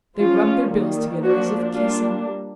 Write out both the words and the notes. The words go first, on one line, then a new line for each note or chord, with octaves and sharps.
They rubbed their bills together as if kissing.
F3 G#3 C#4 F4
D#3 G3 A#3
F3 A#3 D4 F#4
G3 A#3 D4 F4